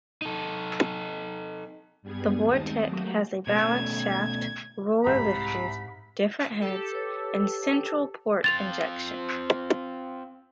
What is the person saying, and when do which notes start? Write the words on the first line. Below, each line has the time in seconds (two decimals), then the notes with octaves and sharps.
The Vortec has a balance shaft, roller lifters, different heads, and Central Port Injection.
0.22 D#4 A4
2.02 G2 G3 B3 G#4 G#6
2.44 D#2 G#3 C4 D#4 A5 D#6
2.85 F#3 A3 A#3 F#4 G4
3.47 B2 A3 C#4 G#6
5.04 C2 G#2 A#5 B5
6.62 G4 A4
6.92 B4 C#5
8.44 C4 F4 A6 F7